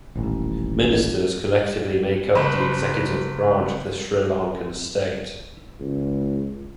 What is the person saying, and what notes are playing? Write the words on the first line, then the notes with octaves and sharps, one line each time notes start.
Ministers collectively make up the executive branch of the Sri Lankan state.
D#1 A1
F#1 B4 C5
C#2